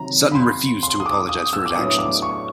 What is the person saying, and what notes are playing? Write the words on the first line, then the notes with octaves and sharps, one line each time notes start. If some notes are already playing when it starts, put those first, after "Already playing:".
Sutton refused to apologise for his actions.
Already playing: C3 D#3 F#3 A#5
B5
C6
C6
D#6
D6
D#6
E6
D6
A2 F#3 B3 D4 D#6
D6
C#6